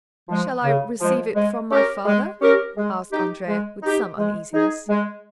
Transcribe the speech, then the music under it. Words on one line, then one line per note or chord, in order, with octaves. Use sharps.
"Shall I receive it from my father?" asked Andrea, with some uneasiness.
F3 G#3
C#3
F3 G#3
G#3
C#4 G4 A#4
G#3
C#4 G4 A#4
G#3
D#4 G4
G#3
D#4 G4
G#3
D#4 G#4
G#3